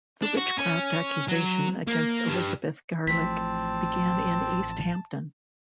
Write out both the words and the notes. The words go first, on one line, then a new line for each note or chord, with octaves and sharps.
The witchcraft accusation against Elizabeth Garlick began in East Hampton.
D4
F#4
C#4
F#3
A#3
G2
A1 A2 F3 C4 A5 B6